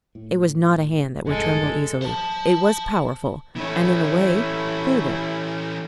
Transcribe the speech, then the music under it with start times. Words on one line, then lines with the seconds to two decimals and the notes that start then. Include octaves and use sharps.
It was not a hand that would tremble easily; it was powerful and, in a way, brutal.
0.15 A2
1.27 F#1 F2 A2 G#3 A4
2.02 C5 A5
3.56 E3 A3 C#4 E4